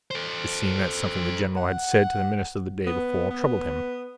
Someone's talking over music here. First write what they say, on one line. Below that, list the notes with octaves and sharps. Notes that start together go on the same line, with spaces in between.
It seemed that something the general had said to the minister the day before troubled him.
A4 C5
F#5
B3
B3